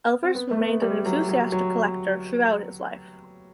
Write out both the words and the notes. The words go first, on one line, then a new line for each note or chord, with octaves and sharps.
Elvers remained an enthusiastic collector throughout his life.
C4
B3
A3
B3
G3
F#3
F#3
F#3